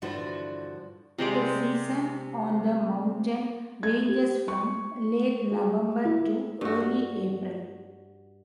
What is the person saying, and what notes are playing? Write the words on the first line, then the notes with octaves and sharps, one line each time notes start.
The season on the mountain ranges from late November to early April.
G2 D3 E3 F3 D4 F#4
C3 G#3 C5 D5
G#6
G4
C#6
G#4
E4
G2 F#4